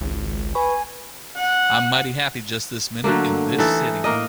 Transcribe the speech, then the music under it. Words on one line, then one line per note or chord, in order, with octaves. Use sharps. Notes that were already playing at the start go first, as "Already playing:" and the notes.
I'm mighty happy just this minute, in this city.
G#1 C#2
B4 G#5 B5 C#6
F#5
D3 F#3 A3 A#3
E3 D#4 A4
A2 A#3 A#4 D#5